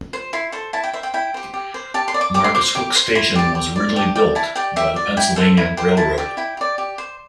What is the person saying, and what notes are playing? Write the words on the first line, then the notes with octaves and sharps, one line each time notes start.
Marcus Hook station was originally built by the Pennsylvania Railroad.
C5
E4 C6
A4 C5
E4 A5
G5
C5 E5
G5
E4 G5
G4 C5
G4
C5
G4 A5
C6
D5
D6
G4 D6
C6
C5 D6
G4 D6
C5
E4 C6
G4 D5
G4
D5
G4 A5
D5 G5
E4 A5
G4 D5 G5
G4 E5
D5
E4 G5
A4 C5
E4
G4 C5
E4 A5
G4 D5
E4 G5
G4 D5
G4
C5